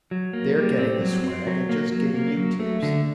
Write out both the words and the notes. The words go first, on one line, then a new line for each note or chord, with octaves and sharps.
They're getting the swag, and just giving you tips.
F#3
A#3
G3
C4
F#3
C4
F#3
A#3
F#3
A#3
F#3
A3
D3